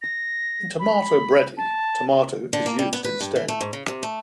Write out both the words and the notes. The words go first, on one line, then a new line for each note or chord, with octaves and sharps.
In tomato bredie tomato is used instead.
A#6
B5
A5
D3
A#3
G3
B3
B4
G2
E3
A3
G#2
C#3
C3
A3